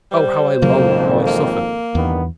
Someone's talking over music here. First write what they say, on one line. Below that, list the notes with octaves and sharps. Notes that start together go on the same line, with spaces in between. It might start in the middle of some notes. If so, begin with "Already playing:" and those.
Oh, how I long, how I suffer!
G3 C5
G#1 F2 C#3 F#3 A#3
A#3
E2 G2 D#3 B3